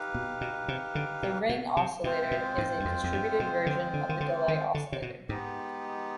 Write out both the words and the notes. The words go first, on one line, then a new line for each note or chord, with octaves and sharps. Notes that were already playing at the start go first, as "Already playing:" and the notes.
The ring oscillator is a distributed version of the delay oscillator.
Already playing: D#4 G4 B4 F5
B2
B2
C3
D3
B2
B2
C3
B2 G#3 C4 F4 C5
B2
G#2
G2
F2
F2
G2
B2
D3
D3
D#3
D3
D#3
D3
C3
B2
G#2 G#3 B3 D#4 G4